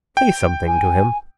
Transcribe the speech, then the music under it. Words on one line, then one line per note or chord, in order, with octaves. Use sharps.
Say something to him.
G5
G#5